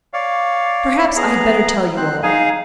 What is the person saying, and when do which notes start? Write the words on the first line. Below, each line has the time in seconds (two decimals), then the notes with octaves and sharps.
Perhaps I had better tell you all.
0.13 C#5 D5 F5
1.16 B3 G#4 A#5
1.97 C4 C5 F#6
2.23 D#4 G#4 F5 G#5